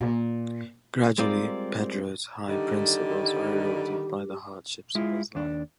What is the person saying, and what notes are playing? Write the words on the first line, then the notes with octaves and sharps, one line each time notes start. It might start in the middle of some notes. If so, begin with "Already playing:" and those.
Gradually, Pedro's high principles are eroded by the hardships of his life.
A#2
G3 G#3 C4 F4 A#4 D5
D3 D#3 G3 G4
G#3 E4 F4
D#2 D4